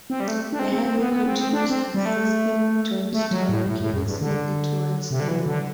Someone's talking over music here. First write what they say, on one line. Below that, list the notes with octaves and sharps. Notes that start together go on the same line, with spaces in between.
The highway continues, exiting Johnstown and curving slightly towards the north.
C4
G3
A3
D4
C4
C4
C4
B3
B3
C4
C4
D4
C4
G3
A3
A3
F#3
A2
A2
A2
F#2
G2
D3
C3
D3
E3
D3